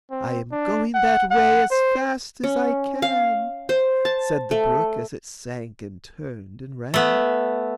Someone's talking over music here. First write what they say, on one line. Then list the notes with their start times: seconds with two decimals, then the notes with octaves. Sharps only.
"I am going that way as fast as I can," Said the brook, as it sank and turned and ran.
0.11 C4
0.52 D4
0.94 F#5
1.31 F#5
1.71 C5
2.44 C#4
3.02 F5
3.69 C5
4.05 A5
4.51 A3
6.94 A3 B3